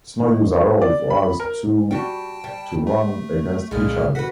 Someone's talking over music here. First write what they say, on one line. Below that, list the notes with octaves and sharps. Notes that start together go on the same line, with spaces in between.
It's no use at all for us two to run against each other.
D#3
D5
B5
A#4
G3 F#4 G5 A5
G3
A3
C2 A#2 G#3 F4 F6
F#4 B4 F#5 B6